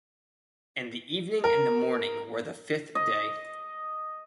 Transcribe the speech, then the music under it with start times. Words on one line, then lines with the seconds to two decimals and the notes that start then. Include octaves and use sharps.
And the evening and the morning were the fifth day.
1.44 A#4
2.95 D#5